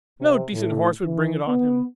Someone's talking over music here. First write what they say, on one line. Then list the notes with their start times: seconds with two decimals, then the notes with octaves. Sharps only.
No decent horse would bring it on him.
0.20 C3
0.52 A2
1.04 E3
1.47 B3